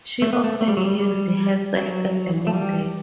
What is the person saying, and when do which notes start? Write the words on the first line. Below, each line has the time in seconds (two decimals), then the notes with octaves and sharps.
She often used herself as a model.
0.22 A3
0.33 B3
0.44 A3
0.61 A3
0.68 G3
0.77 F#3
0.85 G3
0.99 G3
1.76 F#3
2.47 A3
2.53 G3